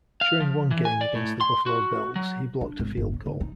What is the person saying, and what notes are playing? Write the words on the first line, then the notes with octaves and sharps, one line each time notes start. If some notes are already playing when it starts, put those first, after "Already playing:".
During one game against the Buffalo Bills, he blocked a field goal.
F5
F3
E3
G#5
D5
A2
C6
F#4
F#3
D4
G#1
G1
D3
D3
D#4